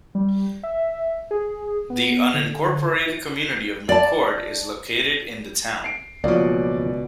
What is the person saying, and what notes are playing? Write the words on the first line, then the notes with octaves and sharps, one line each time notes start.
The unincorporated community of McCord is located in the town.
G3
E5
G#4
B3
D3
D5 A5
C7 D7
C#2 B2 F3 F#3 A#3 D5